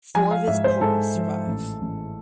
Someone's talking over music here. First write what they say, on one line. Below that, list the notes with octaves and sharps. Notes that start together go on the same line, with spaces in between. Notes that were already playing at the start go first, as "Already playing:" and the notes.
Four of his poems survive.
F3 G#5
F5
G#2 E5
C5
G#2 A4
F3
A1
A1